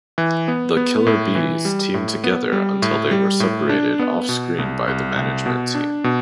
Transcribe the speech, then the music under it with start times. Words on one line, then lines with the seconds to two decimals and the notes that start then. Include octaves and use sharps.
The Killer Bees teamed together until they were separated off-screen by the management team.
0.18 E3
0.48 B3
0.77 B3
1.06 A2
1.35 E3
1.65 G3
1.94 A2
2.24 B3
2.52 G3
2.82 A2
3.11 G3
3.40 A2
3.69 D4
3.99 B3
4.29 B2
4.58 C2
4.87 C2
5.16 C2
5.46 B2
5.75 D4
6.04 B2